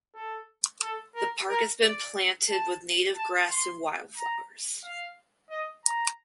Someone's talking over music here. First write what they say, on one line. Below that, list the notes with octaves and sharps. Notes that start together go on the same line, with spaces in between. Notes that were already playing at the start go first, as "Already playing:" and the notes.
The park has been planted with native grass and wildflowers.
A4
A4
A#4
A#4
D5
A5
A5
C6
A#5
F5
D#5
A#5